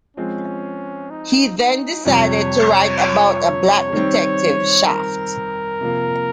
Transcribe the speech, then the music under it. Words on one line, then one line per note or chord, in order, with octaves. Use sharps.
He then decided to write about a black detective, "Shaft".
F3 G#3 C4 C#4
D#4
D#4
F2 C3 G3 C#5
C#5
D#3 G3 C4
A#4
C3 F3 A#3